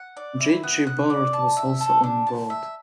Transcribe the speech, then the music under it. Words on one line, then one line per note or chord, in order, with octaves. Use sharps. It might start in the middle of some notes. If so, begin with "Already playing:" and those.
J. G. Ballard was also on board.
Already playing: F#5
D5
E4
B3
F#5
D5
A5
E5
A4
D4
A5
E5